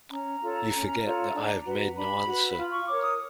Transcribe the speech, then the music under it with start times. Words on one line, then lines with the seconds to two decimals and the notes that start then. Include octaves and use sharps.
You forget that I have made no answer.
0.11 C#4 A#5
0.42 F4 A4 C#5
0.73 C#4
1.03 F4 A4 C#5
1.34 D4
1.65 F#4 B4
1.94 D4 B5
2.26 F#4 B4
2.56 F4
2.71 C#6
2.87 A#4 C#5 D6
3.02 D#6